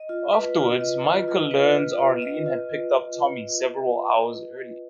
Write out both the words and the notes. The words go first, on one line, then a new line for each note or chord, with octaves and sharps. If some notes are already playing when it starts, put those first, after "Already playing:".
Afterwards, Michael learns Arlene had picked up Tommy several hours earlier.
Already playing: D#5
F4
B4
F4
D#5
F4
F4
B4
F4
F4
D#5
F4